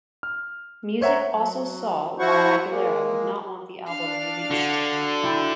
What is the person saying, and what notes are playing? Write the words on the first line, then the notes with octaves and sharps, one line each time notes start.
Music also saw why Aguilera would not want the album released.
F6
C5 C#5 E5 F#5 A#5
F#3
F3 E4 F#4 C5 F#5 C#6
G#3 A#3
D4 F5
D3 F#4
E4 G4